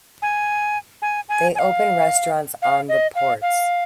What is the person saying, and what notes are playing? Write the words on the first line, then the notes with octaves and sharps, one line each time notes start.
They opened restaurants on the ports.
G#5
G#5
G#5
G#5
F5
F5
D#5
F5
F5